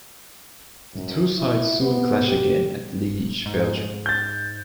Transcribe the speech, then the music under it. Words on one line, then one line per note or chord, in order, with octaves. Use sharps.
The two sides soon clash again at Liege, Belgium.
F#2
E4
B3
G4
G#2
G6 A6